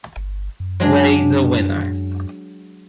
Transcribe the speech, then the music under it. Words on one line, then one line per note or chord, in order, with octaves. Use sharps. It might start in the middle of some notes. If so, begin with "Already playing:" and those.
Guay, the winner.
G1
F#2
F#3 G#3 D4